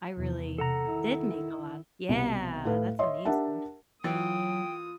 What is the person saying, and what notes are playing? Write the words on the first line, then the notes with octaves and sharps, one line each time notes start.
I really did make a lot, yeah, that's amazing.
E2 C3
C3 A4 F#5 A#5
D#3 E4
C2 B2
A2 A4 B4 F5
C#5 D#5 E5 C6
D4 G4 A#4 E5 F#5 A5
E3 F#3 F4 G5 D#6